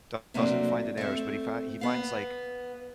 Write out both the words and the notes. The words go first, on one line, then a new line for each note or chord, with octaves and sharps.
d doesn't find Daenerys, but he find he finds, like,
C3 F#3 A3 A#3 C4 D4
A3 C4
B3 F5